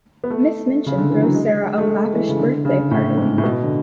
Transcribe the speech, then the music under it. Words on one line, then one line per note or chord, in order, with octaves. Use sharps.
Miss Minchin throws Sara a lavish birthday party.
B3
A3
C#3
D3
E3
F#3
G#3
A3
G#3
E3
C#3
D3
C#3
A2
G#2
A2
B2
D3